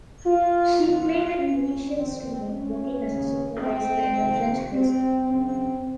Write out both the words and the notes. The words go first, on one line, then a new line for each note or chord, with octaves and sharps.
He played a Tunisian student working as a supervisor in a French high school.
F4
D#2 D#3 F4
C#4
F2 C3 D#3 C4
C#4
D#2 C#3
C4
F2 C3 D#3
C4
F#2 C#3 C4